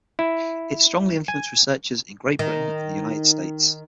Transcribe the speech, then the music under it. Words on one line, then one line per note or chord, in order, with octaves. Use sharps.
It strongly influenced researchers in Great Britain and the United States.
E4
G#5
D#3